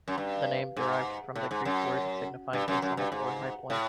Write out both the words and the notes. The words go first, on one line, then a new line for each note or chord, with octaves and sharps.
The name derived from the Greek word signifying a summit or high point.
F#2
G2
G#2
A2
G#2
F#2
G2
F#2
F#2
G2
G#2
A2